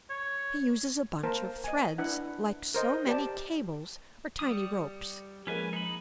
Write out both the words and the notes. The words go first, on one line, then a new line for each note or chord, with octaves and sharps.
He uses a bunch of threads, like so many cables or tiny ropes.
C#5
A#3 A#4 C5 A5
D#5 G#5
D4 E4 B4 F#5
A#4 C5 D#5
G4 D5 A5
G3 D#6
C#7
F3 G#3 A#3 C#4 B4 G#5
D#4 B5